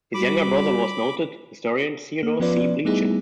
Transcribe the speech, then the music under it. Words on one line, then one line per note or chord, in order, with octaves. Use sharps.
His younger brother was noted historian Theodore C. Blegen.
G3 F#4 B5 D6
A#3
F3 B3 C#4 F4 B4 D5
G3 A3 B3 D#4 E4 G#4